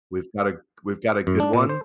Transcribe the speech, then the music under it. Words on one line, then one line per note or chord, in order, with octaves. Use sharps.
we've got a we've got a good one.
F#2
D4
A#2
C5